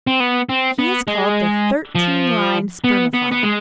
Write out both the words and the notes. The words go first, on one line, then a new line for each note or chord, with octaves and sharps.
He is called the Thirteen-lined Spermophile.
C4
B3
C4
B3
G#3
F3
B3
B3
B3
G#3